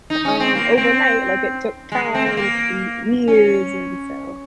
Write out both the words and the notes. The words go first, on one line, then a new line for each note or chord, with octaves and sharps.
um, overnight like it took time and years, and so
D#4
C#4
C4
A#3
C4
G#3
C4
A#3
A#3
C#4